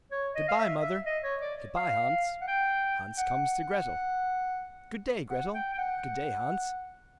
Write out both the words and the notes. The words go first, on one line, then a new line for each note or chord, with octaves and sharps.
Goodbye, mother.' 'Goodbye, Hans.' Hans comes to Gretel. 'Good day, Gretel.' 'Good day, Hans.
C#5
D#5
F5
E5
E5
D#5
C#5
D5
F5
F#5
G5
F#5
F#5
G5
G5
F#5